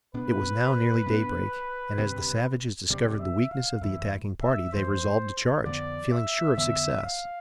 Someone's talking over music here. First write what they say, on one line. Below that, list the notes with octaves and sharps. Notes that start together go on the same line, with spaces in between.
It was now nearly daybreak; and as the savages discovered the weakness of the attacking party, they resolved to charge, feeling sure of success.
B2 B3 D4 B4
B2 B3 D4
D2 C3 G3 C4
D2 C3 G3 C4 D5
E5
F5
F2 E3 A3 E5
E5
F2 E3 A3 C5
F2 D3 F3 B3 D5
E5
F2 D3 F3 B3 E5
F5